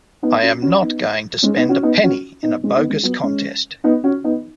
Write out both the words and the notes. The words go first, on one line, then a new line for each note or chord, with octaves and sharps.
I am not going to spend a penny in a bogus contest.
B3 D#4
C#4 F#4
C#4 F#4
B3 D#4
G#3 C#4
B3 D#4
C#4 F#4
B3 D#4
C#4 F#4
B3 D#4
G#3 C#4
B3 D#4
G#3 C#4
F#3 B3
G#3 C#4
B3 D#4
C#4 F#4
B3 D#4